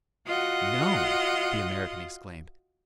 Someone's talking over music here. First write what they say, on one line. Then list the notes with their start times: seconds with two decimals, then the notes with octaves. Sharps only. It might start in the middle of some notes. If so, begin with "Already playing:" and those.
"Known!" the American exclaimed.
0.27 F4 F#4 D#5 F#5